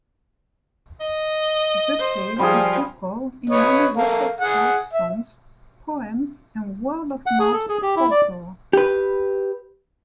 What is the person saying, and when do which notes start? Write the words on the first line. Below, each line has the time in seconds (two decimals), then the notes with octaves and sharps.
The tale is recalled in many local folk songs, poems and word-of-mouth folklore.
1.00 D#5
2.00 C5
2.40 F3 G3 G#4
3.50 B4 C#5 D#5
3.97 A4 A#4 F5
4.41 G#4 F#5
4.93 E5
7.26 F#5
7.40 G#4
7.53 A4
7.69 G#4
7.82 G4
7.96 E4
8.11 D5
8.73 G4 B4